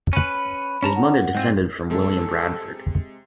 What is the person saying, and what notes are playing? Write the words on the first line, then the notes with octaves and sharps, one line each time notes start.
His mother descended from William Bradford.
C#4 B4 B5
C#4 A5 A#5
F#5
G#2 C4 F4
C3 G#3 A4